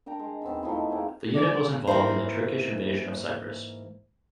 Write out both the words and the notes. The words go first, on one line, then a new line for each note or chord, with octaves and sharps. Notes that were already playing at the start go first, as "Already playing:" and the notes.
The unit was involved in the Turkish invasion of Cyprus.
D4 A#4 G5 A#5
G#3
D#3 B3 C4
F3 A3 D#4 E4
A#3 C4 G#4
D5
G#2 E3 A#3 C5